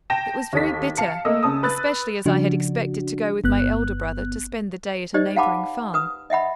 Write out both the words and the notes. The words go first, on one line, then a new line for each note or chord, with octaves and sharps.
It was very bitter, especially as I had expected to go with my elder brother to spend the day at a neighbouring farm.
G5 A5 A#6 E7
D#2 D#4 A4 B6
F5 A5 C#7
A3 A#3 D#5 E6
C#3 A5 D#6
B4 F#6 A6
C#3 F3 D4 F#4
G1 B3 F#6
D#4 G4 C5 D5 D#5
F5 F#5 A5 B5 D6
B4 D#6
D#5 E5 F#5 B5